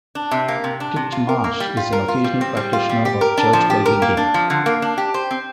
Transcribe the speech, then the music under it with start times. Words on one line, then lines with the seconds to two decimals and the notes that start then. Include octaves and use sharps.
Titchmarsh is an occasional practitioner of church bellringing.
0.15 D4
0.31 C3
0.48 A#3
0.64 C3
0.80 D4
0.96 C3
1.12 F4
1.29 A#4
1.44 A#3
1.60 G3
1.77 F4
1.93 A#4
2.08 F4
2.24 G3
2.41 C4
2.57 G3
2.73 F4
2.89 G3
3.05 G4
3.21 A#4
3.37 D4
3.53 F3
3.70 G4
3.86 A#4
4.02 A#3
4.17 D4
4.34 F3
4.50 D3
4.66 A#3
4.82 D4
4.98 G4
5.14 C5
5.31 C4